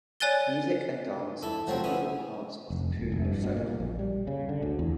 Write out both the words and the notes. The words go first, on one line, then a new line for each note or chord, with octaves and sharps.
Music and dance are typical parts of the Puno folklore.
C#5 D5 G#5 F#6 A6 G7
E4 A4
F3 F#3 A3 C4
B3 C#4 E4
F1
D#1
F1
G2
B2
A#2
A#1
G3
C#3
D3
D2
E2